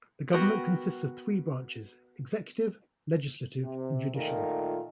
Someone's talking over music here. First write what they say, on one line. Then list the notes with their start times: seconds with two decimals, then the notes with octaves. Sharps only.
The Government consists of three branches: executive, legislative and judicial.
0.33 B3 F#4 A#4 G5
3.64 C3
4.15 A#2 D#3 A3 F4 A#4